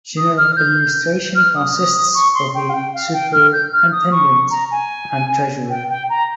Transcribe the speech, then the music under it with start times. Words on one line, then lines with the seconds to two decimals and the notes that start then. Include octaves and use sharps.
General administration consists of the superintendent and treasurer.
0.17 D#6
0.37 F6
0.56 G6
1.35 F6
1.55 D#6
1.75 D#6
1.95 D#6
2.14 C#6
2.34 C6
2.55 G5
2.69 F5
2.74 G5
2.94 F5
3.13 G5
3.33 F6
3.53 G6
3.72 F6
3.92 D#6
4.12 C#6
4.51 A#5
4.71 G#5
5.70 G5
5.89 G5
6.10 A#5